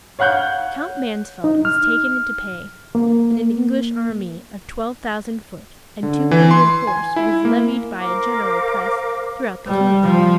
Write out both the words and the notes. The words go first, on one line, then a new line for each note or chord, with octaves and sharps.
Count Mansfeldt was taken into pay; and an English army of twelve thousand foot and two hundred horse was levied by a general press throughout the kingdom.
C#5 F5 F#5 F#6 G6
D#4
F6
A#3
D3
E3
C6
G#5
E4
A#3
A#4 C5 F5 D6
G3
F3